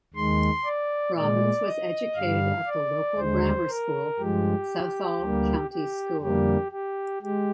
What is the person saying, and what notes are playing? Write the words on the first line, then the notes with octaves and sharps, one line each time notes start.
Robbins was educated at the local grammar school, Southall county school.
D#2 D#3 G#3 C6
D5
A#2 G#3 D5
D#5
G2 D3 G3 F5
D5
D#2 D3 G#3 C5
A#4
G2 F3 G#3 G4
D2 D3 G3 A#3
G4
F2 D3 G3 A#3 G4
G4
G#3 G4